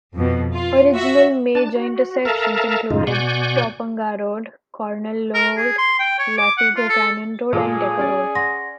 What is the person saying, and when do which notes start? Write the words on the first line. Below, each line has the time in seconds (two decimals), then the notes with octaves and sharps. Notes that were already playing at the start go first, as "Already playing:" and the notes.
Original major intersections included Topanga Road, Cornell Road, Latigo Canyon Road, and Decker Road.
0.14 F2 B2
0.54 F4
0.94 F#4 E5
1.55 D4 A5
1.76 F#4
2.25 A4 A#4 E5 F5 A5 A#5
2.91 F#2 A2 C#3 G#3 D#4 F4
3.07 B2 D5 F#5 G#5 C#6 G6
5.34 A#4
5.57 G#4
5.78 C6
5.99 G5
6.19 C#5
6.37 D6
6.58 F#5
6.76 F4
6.89 A4
7.53 A#2 G#3 G#4 A4
7.99 C#4 D5
8.35 F#5 C6 A#6